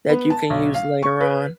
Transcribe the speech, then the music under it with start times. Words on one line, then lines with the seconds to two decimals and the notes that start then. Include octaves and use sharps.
that you can use later on.
0.09 B3
0.30 A5
0.50 B1
0.74 F5
1.03 C#6
1.21 B4